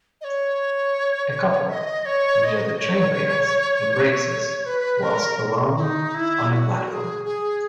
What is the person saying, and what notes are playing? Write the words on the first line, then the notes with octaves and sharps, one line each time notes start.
A couple, near the train rails, embraces whilst alone on a platform.
D#5
C#5
E5
D#5
C#5
D#5
C#5
B4
A#4
E4
D#4
E4
F#4
A#4
G#4
G#4